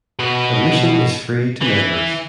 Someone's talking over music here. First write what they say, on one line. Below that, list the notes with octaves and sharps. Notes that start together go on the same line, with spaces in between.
Admission is free to members.
B2 B4
E3